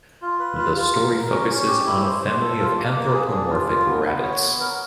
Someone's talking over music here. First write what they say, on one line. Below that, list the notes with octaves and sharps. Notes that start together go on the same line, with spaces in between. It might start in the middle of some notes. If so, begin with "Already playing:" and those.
The story focuses on a family of anthropomorphic rabbits.
F4
B4
F4
F4
A#4
A#4
C#4
C#4
G4
E4
C5
C5
A4
F4
A#3
A#3
G#4
D4
F4
F4
B3
B3
C#5
B3
A#4